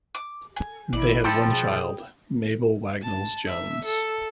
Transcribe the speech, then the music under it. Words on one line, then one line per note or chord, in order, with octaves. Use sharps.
They had one child, Mabel Wagnalls Jones.
D6
G#5
G#1 E4 D5
F3 A4 G5 B5
B2 G#4
A5
E5
A4